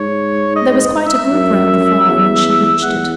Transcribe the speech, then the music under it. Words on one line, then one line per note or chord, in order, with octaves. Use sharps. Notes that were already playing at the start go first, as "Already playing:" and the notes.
There was quite a group round the fire when she reached it.
Already playing: G#2 C#5
D#5
E5
F#2
E2
E2 F#5